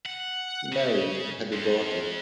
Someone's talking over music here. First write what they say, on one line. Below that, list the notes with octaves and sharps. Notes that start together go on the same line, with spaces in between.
He married and had a daughter.
F#5
C#3
F2